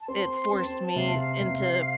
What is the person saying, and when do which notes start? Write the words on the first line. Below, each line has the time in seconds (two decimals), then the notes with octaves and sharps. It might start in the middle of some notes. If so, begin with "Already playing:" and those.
it forced me into
0.01 A5
0.07 C4 C6
0.52 C4 A5
0.96 C3 F5
1.41 C3